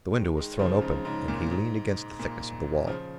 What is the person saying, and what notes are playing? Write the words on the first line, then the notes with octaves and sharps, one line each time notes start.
The window was thrown open, and he leaned against the thickness of the wall.
D#3 G#3
D#3 G#3
C#3 F3
G#2 C#3
G#2 C#3
A#2
G#2
A#2
C#3 F3